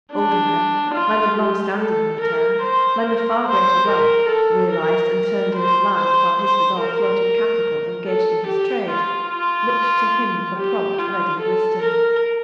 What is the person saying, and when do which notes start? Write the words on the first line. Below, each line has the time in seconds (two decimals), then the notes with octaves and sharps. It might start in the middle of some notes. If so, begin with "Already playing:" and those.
Older men, men of long standing in the town, men of far greater wealth--realised and turned into land, while his was all floating capital, engaged in his trade--looked to him for prompt, ready wisdom.
0.12 D4
0.95 F4
1.38 G4
1.79 A4
2.21 A#4
2.62 C5
3.04 A#4
3.47 C5
3.88 A#4
4.29 A4
4.72 A#4
5.55 C5
5.97 C5
6.38 C5
6.81 A#4
8.06 A4
8.47 G4
8.90 F4
9.31 F4
10.57 G4
10.98 F4
11.41 A4
11.82 A#4